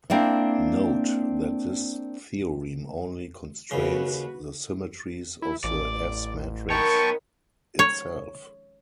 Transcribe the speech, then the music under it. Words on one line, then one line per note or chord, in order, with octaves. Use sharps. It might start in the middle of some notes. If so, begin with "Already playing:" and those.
Note that this theorem only constrains the symmetries of the S-matrix itself.
A#3 C4 D4 E4
D#2 C#3 F#4 B4
E4
A1 D5
D#3 B3 A#4 C#5 G5 A5 B5 C#6
C#5